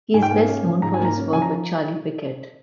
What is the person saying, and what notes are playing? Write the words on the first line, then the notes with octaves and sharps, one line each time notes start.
He is best known for his work with Charlie Pickett.
G#2 G#5
G5
A#3 G#5
C#4
F3
G#2 A#5
G#5
A#3
A#5
C#4
F3 G#5
A#5